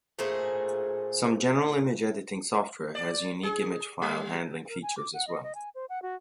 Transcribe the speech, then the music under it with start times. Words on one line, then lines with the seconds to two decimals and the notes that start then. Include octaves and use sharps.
Some general image editing software has unique image file handling features as well.
0.19 A#2 A3 G#4 C5
2.95 D5
3.43 G#4
4.02 G3
4.69 A#4
4.82 G#5
4.97 D6
5.14 F#5
5.27 D#5
5.43 D#5
5.55 G#5
5.75 C5
5.89 F#5
6.02 F#4